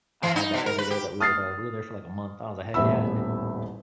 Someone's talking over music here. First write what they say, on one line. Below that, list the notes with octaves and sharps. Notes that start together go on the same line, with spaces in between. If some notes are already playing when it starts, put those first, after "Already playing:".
I had that every day that we were there, we were there for, like, a month, I was like, "Heck yeah."
E3
D#4
B2
A#4
B4
G4
D#6 F6 A6 C7
D#1 A1 E2 E5 B5 E6